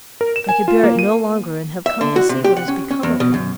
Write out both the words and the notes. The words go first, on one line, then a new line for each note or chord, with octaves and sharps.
I could bear it no longer and have come to see what has become of him.
A#4
E7
G#5
F4
A#3
D#7
E5
D3
F#4
C3
G4
F#5
C#4
C#4
E2
B2
F#2